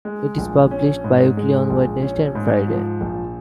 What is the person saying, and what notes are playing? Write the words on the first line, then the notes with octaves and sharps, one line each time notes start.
It is published bi-weekly on Wednesday and Friday.
G#3
A#1
C#4
G#2
G#3
A#1
C#4
G#2
F3
A#1